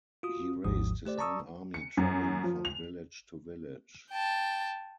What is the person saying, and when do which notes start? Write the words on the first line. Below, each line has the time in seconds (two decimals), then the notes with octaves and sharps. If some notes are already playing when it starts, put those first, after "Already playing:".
He raised his own army travelling from village to village.
0.23 F4 F#4 D#6
0.64 G#1 D#2 G#2 F3 D#6
1.06 A3 G4 C5 D5
1.18 D5 A5 A#5 C#6 D#6 E6
1.74 C#7
1.97 F#2
2.44 F3
2.65 F7
4.11 G5 A5